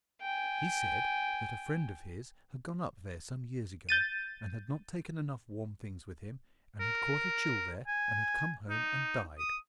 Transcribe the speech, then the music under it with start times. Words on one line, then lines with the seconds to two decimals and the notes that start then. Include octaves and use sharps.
He said that a friend of his had gone up there some years ago, and had not taken enough warm things with him, and had caught a chill there, and had come home and died.
0.21 G5 G#5
3.89 G6 A6 D#7
6.80 A#4
7.87 G#5
8.70 D#4
9.39 D#6